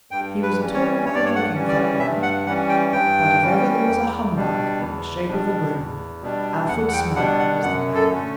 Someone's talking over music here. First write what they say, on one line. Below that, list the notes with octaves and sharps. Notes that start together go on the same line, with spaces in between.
He was a tall, good-looking fellow enough; but if ever there was a humbug in the shape of a groom Alfred Smirk was the man.
G2 G5
B4
E3 G3 C#4
C#5
G2 C#5
D5
C#5
F#5
E3 G3 C#4
D5
G2 E5
F#5
E3 G3 C#4 F#5
G5
G2 G5
E3 G3 C#4
E2
B2 G3 D4
E2
B2 G3 D4
E2
B2 G3 D4
E2 F#5
F#5
G5
B2 G3 D4 F#5
F#5
F#2 F#5
A4
D3 A3 C#4